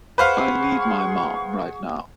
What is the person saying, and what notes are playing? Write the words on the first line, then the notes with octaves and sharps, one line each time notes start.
I need my mom right now.
G#4 B4 C5 F5 F#5 C#6